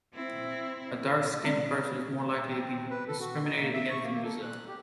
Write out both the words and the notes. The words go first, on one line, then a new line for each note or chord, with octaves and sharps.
A dark-skinned person is more likely to be discriminated against in Brazil.
C4 E4
G#3 C4 D5
C4
B4
A4
F#4
D#4
A#3
E5
C#6
A#3
A4
F#6
G4